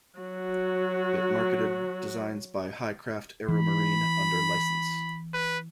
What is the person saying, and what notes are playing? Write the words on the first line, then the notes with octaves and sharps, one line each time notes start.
It marketed designs by HighCraft AeroMarine under licence.
F#3 F#4
E3 B5
B4